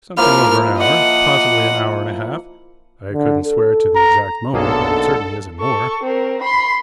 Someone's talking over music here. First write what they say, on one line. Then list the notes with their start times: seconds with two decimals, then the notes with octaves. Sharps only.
'Something over an hour,--possibly an hour and a half; I couldn't swear to the exact moment, but it certainly isn't more.'
0.17 F3 A#3 E4 A#4 F6
0.77 D#5 F#5
3.13 D3
3.45 A4
3.95 A#5
4.54 B1 D3 A#3 G#4 A4
5.59 A4 C#6
6.04 C4 A#4
6.42 B5 C6